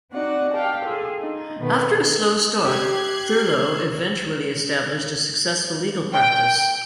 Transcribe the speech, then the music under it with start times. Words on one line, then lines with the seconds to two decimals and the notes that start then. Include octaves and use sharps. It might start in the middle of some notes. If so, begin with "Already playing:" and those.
After a slow start, Thurlow eventually established a successful legal practice.
0.13 C4 D#4 F#4 D5 F#5
0.53 G4 F5 G5 A5
0.84 F4 G#4 A4
1.20 D#4
1.60 B2 D#3 A3 B3
2.65 G4 F#6 G#6 C7
6.13 G5